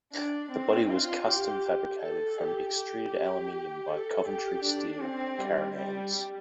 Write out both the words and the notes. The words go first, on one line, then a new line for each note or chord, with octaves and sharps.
The body was custom fabricated from extruded aluminium by Coventry Steel Caravans.
D4
C4
F4
G4
A4
G4
G4
A4
G4
D4
C4
G3
G3